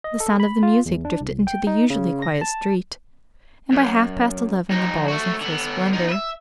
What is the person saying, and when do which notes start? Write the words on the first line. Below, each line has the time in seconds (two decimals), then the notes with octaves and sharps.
The sound of the music drifted into the usually quiet street, and by half-past eleven the ball was in full splendour.
0.04 D#5
0.20 A4
0.40 B5
0.63 F4
0.86 E2
1.05 D4
1.21 C2
1.47 G5
1.67 D#4
1.90 C#3
2.22 A#6
2.41 A5
3.73 F#2
4.71 F2 D#4
5.08 A3 F#4
5.41 D3 B3
5.93 B3 D#4
6.09 B4 E5